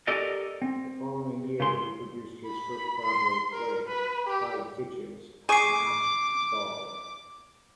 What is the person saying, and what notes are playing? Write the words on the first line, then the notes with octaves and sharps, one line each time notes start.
The following year, he produced his first Broadway play, Clyde Fitch's "Masked Ball".
G4 A4 A#4 D5 D#5
C4
C#3 G#3 C6
B5
C6
A#4
B4
G4
G#4 C#6 D6 C7 D#7